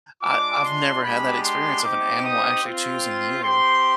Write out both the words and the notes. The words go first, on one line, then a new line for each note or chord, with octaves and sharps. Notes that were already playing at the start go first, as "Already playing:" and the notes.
I I've never had that experience of an animal actually choosing you.
G#3 D4 F4 D6
C6
G#3 B3 D4 G4 B5
C6
C4 D#4 G4 D6
D#6
C4 F4
C4 G4 C6